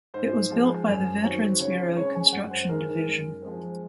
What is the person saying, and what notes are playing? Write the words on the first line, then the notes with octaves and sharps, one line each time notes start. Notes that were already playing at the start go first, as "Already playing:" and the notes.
It was built by the Veterans Bureau Construction Div.
G#2 C5
F3 G#3
F#2
D#3 F#3 C4
C#3 C#5
C5
G#3 C#4 C#5
G#5
F#2 F#5
C5
D#3 G#3 A#4
A#4
F#2
F3 G#3 C4